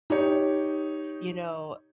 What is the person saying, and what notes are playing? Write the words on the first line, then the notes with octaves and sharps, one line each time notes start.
you know,
D#4 G4 C#5